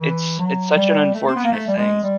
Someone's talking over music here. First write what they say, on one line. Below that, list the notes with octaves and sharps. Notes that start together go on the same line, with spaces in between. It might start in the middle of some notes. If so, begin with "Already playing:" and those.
it's it's such an unfortunate thing.
E3
F#3
G3
A3
C4
B3
A#3
A3
G3
G#3
G3